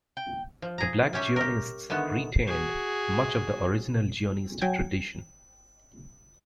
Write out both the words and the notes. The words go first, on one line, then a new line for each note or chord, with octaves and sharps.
The black Zionists retained much of the original Zionist tradition.
G5
F3
G#4 A#5
G3 C#4 G4 E5
G4 A#4
D3 D#3 A3 B3
F#4 G#4
F#3 G5 G#5 G#6